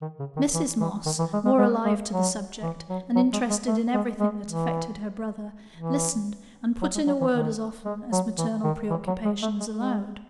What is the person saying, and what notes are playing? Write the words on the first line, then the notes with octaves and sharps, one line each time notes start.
Mrs. Moss, more alive to the subject, and interested in everything that affected her brother, listened and put in a word as often as maternal preoccupations allowed.
D#3
C#3
D#3
E3
E3
D#3
E3
G#3
G#3
G#3
G#3
F#3
E3
F#3
F#3
G#3
G#3
A3
G#3
G#3
E3
E3
F#3
G#3
F#3
E3
D#3
G#3
F#3
E3
D#3
E3
F#3
G#3
A3
G#3
G#3